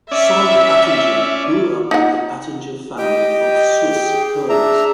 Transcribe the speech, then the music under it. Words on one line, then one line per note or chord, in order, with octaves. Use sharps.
Sandra Attinger grew up in the Attinger family of Swiss curlers.
C#4 D5 E5
D#4 F#5
G4 D#5 G5
G#4
D4 E5 A#5